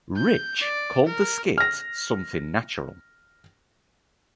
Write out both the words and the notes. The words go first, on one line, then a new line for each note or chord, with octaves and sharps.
Ricch called the skit "something natural".
G6
D5
A#4
F6 A#6